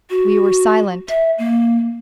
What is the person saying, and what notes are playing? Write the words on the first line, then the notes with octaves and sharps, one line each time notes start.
We were silent.
F#4
E5
A#3